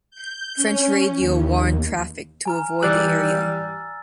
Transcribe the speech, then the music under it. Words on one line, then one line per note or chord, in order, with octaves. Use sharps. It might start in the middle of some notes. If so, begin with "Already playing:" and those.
French radio warned traffic to avoid the area.
G6
C#4
D#2
G#5 A#5 F6
E3 G3 D5 E6 F#6 A6